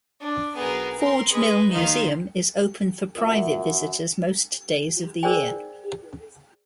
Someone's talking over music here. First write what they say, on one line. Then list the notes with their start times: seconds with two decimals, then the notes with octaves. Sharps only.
Forge Mill Museum is open for private visitors most days of the year.
0.21 D4
0.56 B1 B3 G#4 A#4
0.98 C4 A#4 C6
1.31 G#3 G#4 B4
1.72 D#2 D#3 D#4 F5 C6
3.17 F#2 A#2 E5 E6
5.23 G#4 A#4 C5 D5 G5 G#5